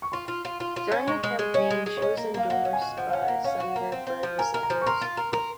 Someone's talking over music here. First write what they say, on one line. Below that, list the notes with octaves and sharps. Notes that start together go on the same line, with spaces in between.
During the campaign she was endorsed by Senator Bernie Sanders.
C#6
F4 C6
F4
F4
F4
F4
C#4
G#3 C#6
G#3
G#3
C#4 D#5
G#3
G#3
C#5
C#4 D#5
A#3
A#3 F5
A#3 F#5
C#4
G#5
F#4
F3 F#5
C#4 F5
F#5
A#3
C#4 F5
F#4
A#3
C4
C4
F3
A#4 G#5
A#4
A#5
F3
C#6
A#4 C6
F4
A#4
A#4